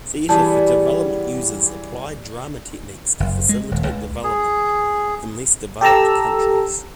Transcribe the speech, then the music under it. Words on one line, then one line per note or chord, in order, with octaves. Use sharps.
Theatre for Development uses Applied Drama techniques to facilitate development in less developed countries.
E3 G3 B3 G#4 D5 A5 A#5
F#1
G#3
D#1
C#2
G#4
G4 A4 A5 A#5 E6